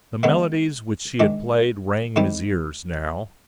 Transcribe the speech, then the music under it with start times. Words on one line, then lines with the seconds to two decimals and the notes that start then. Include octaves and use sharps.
The melodies which she had played rang in his ears now.
0.23 G#2 D#3 G#3 B3
1.19 G#2 D#3 G#3 D4
2.16 G#2 D#3 G3 C4 G4